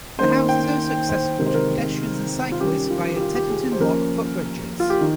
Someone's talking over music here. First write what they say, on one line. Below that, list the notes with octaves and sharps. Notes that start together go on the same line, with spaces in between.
The house is also accessible to pedestrians and cyclists via Teddington Lock Footbridges.
D#3 A#3 C#4 C5
G5
C5
C3 D#3 G#3 C4 A#4
C5
A#4
F4
D#3 G3 C#4 G4
F4
G4
F4
G4
G#4
C5
F3 A#3 C#4 A#4
F4
G4
D#3